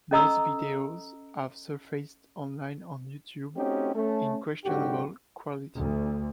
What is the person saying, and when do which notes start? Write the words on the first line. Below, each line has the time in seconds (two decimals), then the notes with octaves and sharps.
Most videos have surfaced online on YouTube in questionable quality.
0.11 C#4 A4 D#5 A#5 D#6 E6
3.56 A3 C4 C#4 D#4 F#4 G4
3.94 A3 C#4 A4
4.65 B1 G#2 D3 F#4 G4
5.78 D2